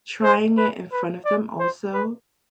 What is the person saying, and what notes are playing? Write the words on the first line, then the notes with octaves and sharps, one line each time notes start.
Trying it in front of them also.
C5
B4
B4
D5
C5
B4